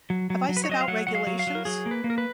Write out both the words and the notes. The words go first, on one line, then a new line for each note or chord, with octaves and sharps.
Have I set out regulations?
F#3
F#3
F#3
B4
C#5
F#3 D#5
F5
F#3 F#5
F#3 F#5
F5
F#3
F5
F#3
A#4
F#3 G#4
A#3
B4
A#3
A#4
B4